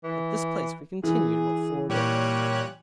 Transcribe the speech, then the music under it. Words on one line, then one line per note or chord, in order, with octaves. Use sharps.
At this place we continued about four days.
E3
E3 G#4
A#2 G3 C#5 F#6